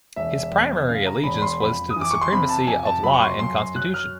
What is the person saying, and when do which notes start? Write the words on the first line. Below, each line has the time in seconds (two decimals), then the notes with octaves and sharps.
His primary allegiance was to the supremacy of law and constitution.
0.16 E1 E5
0.52 E2
0.88 C#3 F5
1.07 A#5
1.23 E1 B5
1.38 B5
1.42 C6
1.60 F2 B5
1.90 D#6
1.96 E3
2.01 D6
2.11 C#6
2.21 C6
2.33 C3 B5
2.49 A5
2.67 F2 G#5
2.85 A5
3.03 F#3 B5
3.14 C#6
3.22 C6
3.39 F#2 C6
3.58 C6
3.76 F#3 F#6
3.94 F6